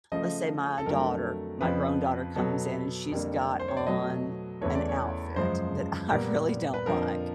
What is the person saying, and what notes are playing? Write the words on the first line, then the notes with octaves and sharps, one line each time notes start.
let's say my daughter, my grown daughter, comes in, and she's got on an outfit that I really don't like.
C#3 F3 A3 D#5
A4
F2 D3 F#3 A3 A#4
F2 C#3 F3 B4
B2 F#3 B3 A4
F2 D3 G3 A#3
C5
C#5
D5
B2 F#3 A3 D#5
E2 C#3 E3 A3 C#5
D5
C#5
F#2 C#3 F3 G#3 C5
A#2 G3 B3 A#4
B4
F2 D3 F3 A#3 A#4